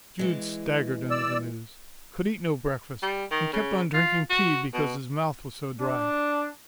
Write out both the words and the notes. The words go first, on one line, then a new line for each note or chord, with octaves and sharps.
Jude staggered under the news; could eat no breakfast; and kept on drinking tea because his mouth was so dry.
E3 G#3
D5 E6
G3
D#3
C#3
F4
F#4
B2
D4